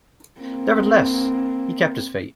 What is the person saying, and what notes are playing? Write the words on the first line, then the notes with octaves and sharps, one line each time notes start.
Nevertheless, he kept his faith.
A#3 C4